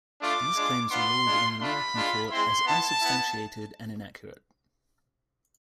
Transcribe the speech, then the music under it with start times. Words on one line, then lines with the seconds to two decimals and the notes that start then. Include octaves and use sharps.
These claims were ruled in an American court as "unsubstantiated and inaccurate".
0.21 A3 D4 F4 D6
0.56 G#3 D4 F4
0.91 B3 D4 F4 C6
1.26 G#3 D4 F4
1.61 A3 D4 F4 B5
1.96 G#3 D4 F4
2.31 G#3 C4 E4 C6
2.66 B3 E4 A5
3.01 B3 E4